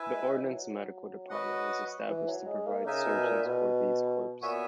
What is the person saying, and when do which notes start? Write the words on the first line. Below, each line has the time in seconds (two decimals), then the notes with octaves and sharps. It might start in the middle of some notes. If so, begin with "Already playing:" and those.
The Ordnance Medical Department was established to provide surgeons for these corps.
Already playing: E4 B4 E5 G#5
0.12 G#3
0.32 G#3
0.43 E3
0.52 F#3
1.30 F#4 B4 D#5 F#5
2.08 E3
2.28 F#3
2.47 G#3
2.67 A#3
2.86 C#3 D#4 A#4 E5 G#5
3.06 B2
3.24 A#2
3.45 B2
4.42 A#2 B3 F#4 C#5 E5 G#5